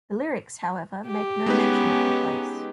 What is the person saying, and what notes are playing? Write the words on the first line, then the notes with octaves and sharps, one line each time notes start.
The lyrics, however, make no mention of the place.
G4
G#3 B3 C#4 D#4 B4